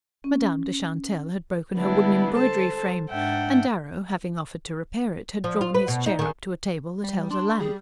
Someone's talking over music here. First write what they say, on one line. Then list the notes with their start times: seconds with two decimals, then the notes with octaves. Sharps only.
Madame de Chantelle had broken her wooden embroidery frame, and Darrow, having offered to repair it, had drawn his chair up to a table that held a lamp.
0.24 C#4
1.76 D3 G3 G#3 B3 D4 E4
2.34 A4 C5 A5
3.10 G#2 D4 E5 F#5 G5
5.44 F3
5.61 F4
5.75 B4
5.88 B2
6.06 D#4
6.19 D#3 G#4
7.04 G3
7.31 D4 C6
7.59 G3 G#4